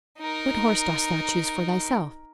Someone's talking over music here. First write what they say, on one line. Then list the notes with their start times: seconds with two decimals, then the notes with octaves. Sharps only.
"What horse dost thou choose for thyself?"
0.19 D#4 A#4